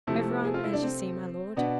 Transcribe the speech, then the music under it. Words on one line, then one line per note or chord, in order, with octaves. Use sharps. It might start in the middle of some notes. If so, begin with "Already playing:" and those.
"Everyone, as you see, my lord."
C3 F3 A3 C4 E4
G#4
F4
E4
D4
C4
B2 B3 D4